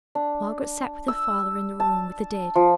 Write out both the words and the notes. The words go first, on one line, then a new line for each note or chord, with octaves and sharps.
Margaret sate with her father in the room with the dead.
D4
E6
A5
F3